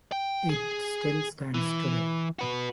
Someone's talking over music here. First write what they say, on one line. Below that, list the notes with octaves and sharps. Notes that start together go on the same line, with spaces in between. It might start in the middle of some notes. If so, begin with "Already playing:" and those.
It still stands today.
G5
G#4
E3
F#4 B4